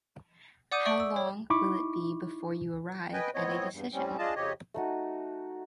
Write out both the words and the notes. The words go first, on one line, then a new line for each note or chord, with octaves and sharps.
How long will it be before you arrive at a decision?
D5 F#5 D6 D#6 G6 D#7
D5 E5 C#6 D7 F#7
E6
C#5
D#4 E4 B5 C#6 D6
B4 D#5 G5 G#5
A2 B3 C4 C#5 D#5
E2 G2
A2 G3 C4 C#4
D4 F4 G#4 D#5 A5
F2 C#3 F3 G4 C#5 D#5
A3 D#4 F#4